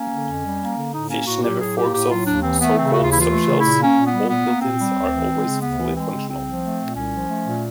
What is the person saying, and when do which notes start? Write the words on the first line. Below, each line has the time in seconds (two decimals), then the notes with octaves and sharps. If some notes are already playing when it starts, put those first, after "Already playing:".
Fish never forks off so-called subshells; all builtins are always fully functional.
Already playing: A#3 C#4
0.10 D3
0.25 F2
0.43 G3
0.60 A#3
0.76 D3
0.93 A2 D#4
1.09 A#3 C#4
1.26 A2 F#4
1.43 F#3 G4
1.60 A2 G#4
1.76 A#3 G4
1.94 A2 G4
2.10 F#3 F4
2.27 D#2 D4
2.43 E3 C4
2.61 A3 B3
2.77 C#3 C4
2.94 D#2 F#4
3.03 F4
3.11 E3 E4
3.21 F4
3.28 A3
3.44 C#3
3.60 A#2 E4
3.78 A#3
3.83 C#4
3.95 A#2
4.06 B3
4.11 G3
4.27 A#2 B3
4.44 A#3
4.61 A#2 C4
4.79 G3
4.95 D2
5.11 E3
5.28 G#3
5.46 C#3
5.62 D2 B3
5.78 E3
5.95 G#3 C4
6.13 C#3
6.28 C2 C4
6.46 F3
6.62 A3
6.79 A#2
6.96 C2 C#4
7.13 F3
7.29 A3
7.46 A#2